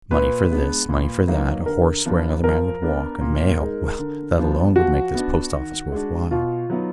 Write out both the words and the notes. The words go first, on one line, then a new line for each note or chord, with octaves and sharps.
Money for this, money for that, a horse where another man would walk, and mail--well, that alone would make this post-office worth while.
A#2 B4
G#3 B3 D4
A#2
F#3 A#3 D#4
D3 A#4
F3 B3 D4
F3 A#4
B3 D4
A#2
G#3 D#4
D3
F3 B3 D4
F3 F#4
B3 D4
D#3
G#3 D4
B2 F4
F#3 B3 D#4